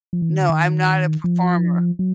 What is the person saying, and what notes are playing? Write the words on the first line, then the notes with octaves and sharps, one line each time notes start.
No, I'm not a performer.
F3
E3
D#3
D3
D#3
F3
F#3